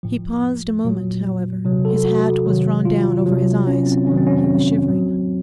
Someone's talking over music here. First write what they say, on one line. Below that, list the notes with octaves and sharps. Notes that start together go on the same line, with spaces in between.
He paused a moment, however; his hat was drawn down over his eyes; he was shivering.
A2 F3
A#2 F#3
C3 F#3
A4
F#4
C3 D#3 F#3
F4
C3 F#3
C#4
C4
C3 D#3 F#3 C#4
C4
C#4
C4
A2 F#3